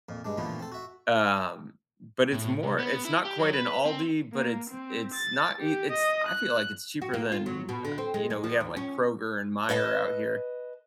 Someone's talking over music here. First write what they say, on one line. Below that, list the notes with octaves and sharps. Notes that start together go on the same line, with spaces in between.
um, but it's more it's not quite an Aldi, but it's it's not i it's I feel like it's cheaper than, uh, you know, we have, like, Kroger and Meyer out here.
F2 A#2
G2 G#3 D4
A#2 D3 E3 F3 A3 B3
C4 A4
F#4 E5
A2
C3
B3
E4
G4
F#3
B4
C4
A#3
C4
A6
G4
D#5
F#6
F#4
A#3
F4
F#3
B2
D3
C4
G#3
G#3
F3
D#2
C#4
B4 D#5 F#5 A5